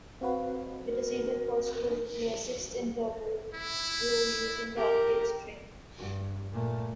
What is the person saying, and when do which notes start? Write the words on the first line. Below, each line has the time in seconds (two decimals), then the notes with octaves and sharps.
It is even possible to play a sixth interval, through using the octave string.
0.21 C4 F#4 B4 F5
0.86 A#4
3.54 E4
4.76 G4 A#4
5.97 G2
6.53 A#2 A3